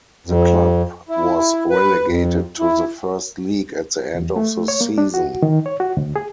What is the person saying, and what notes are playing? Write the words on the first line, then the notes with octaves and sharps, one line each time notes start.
The club was relegated to the First League at the end of the season.
F2
E4
B4
F2
E4
E2
A3
C#5
A#3
D4
F#4
D#3
C#5
F#4
D2
G#4